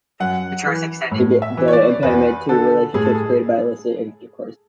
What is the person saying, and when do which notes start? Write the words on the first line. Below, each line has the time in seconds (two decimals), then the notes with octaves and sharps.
The church extended the impediment to relationships created by illicit intercourse.
0.20 F#2 F#5
0.66 E3
1.11 A2
1.42 E5
1.57 E3
1.68 C#5
1.73 D5
2.03 E2 B4
2.49 D3 A4
2.94 A2 G#4
3.05 A4
3.14 G#4